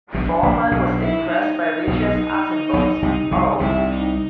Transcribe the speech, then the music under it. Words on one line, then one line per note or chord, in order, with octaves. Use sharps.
Foreman was impressed by Richard Attenborough's Oh!
B1 B2 D4
A#1 A#2
B1 B2
E4
D#4
D#4
B1 B2
B1 B2
C2 C3
C2 C3
C2 C3 E4
D#4